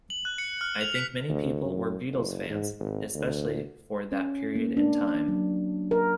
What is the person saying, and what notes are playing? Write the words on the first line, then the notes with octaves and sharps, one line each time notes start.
I think many people were Beatles fans, especially for that period in time.
F#7
F#6
C#7
F6
F7
B6
D2
F#2
F#1
G#2
G#1
D2
C#4
A#3
D4
F#3
A#4